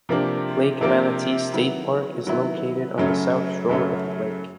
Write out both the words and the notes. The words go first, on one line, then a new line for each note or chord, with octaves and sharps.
Lake Manatee State Park is located on the south shore of the lake.
C3 F3 A#3 D4 G4
C3 F3 A#3 D4 G4
D#3 F#3 B3 E4
D#3 F#3 B3 E4
F#2 C#3 F#3 A3 C#4
F#2 C#3 F#3 A3 C#4